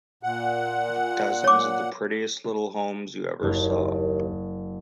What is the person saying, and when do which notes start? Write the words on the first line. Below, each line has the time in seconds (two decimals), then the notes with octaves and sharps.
Dozens of the prettiest little homes you ever saw.
0.23 A#2 F#5
1.44 C#5 D6
3.42 F#1 D#2